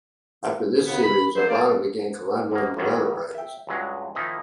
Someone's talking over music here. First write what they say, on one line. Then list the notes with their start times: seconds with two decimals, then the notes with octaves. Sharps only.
After this series, Obata began collaborating with other writers.
0.87 D#2 C#3 B3
1.03 B5
1.36 D3 F#3 C5
1.48 A#3 D5
2.51 B2 A#3
2.77 G#1 F2 C3 D#3 F#3 G3
3.35 E5 G5
3.67 C#2 G2 F#3 G#3
4.15 D#3 F3 A#3 C4 D#4 E4